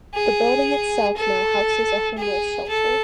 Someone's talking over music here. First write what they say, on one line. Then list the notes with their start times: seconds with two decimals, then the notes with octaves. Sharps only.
The building itself now houses a homeless shelter.
0.15 G#4
1.17 A4
2.18 G#4
2.69 A4